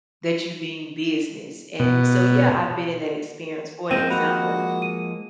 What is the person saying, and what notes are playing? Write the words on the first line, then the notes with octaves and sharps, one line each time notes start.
that you being business, and so, yeah, I've been in that experience, for an example,
B2
F3 G#3 A#3 C4 G6 A#6 D#7
F#4 B5 F#6 F7
D#7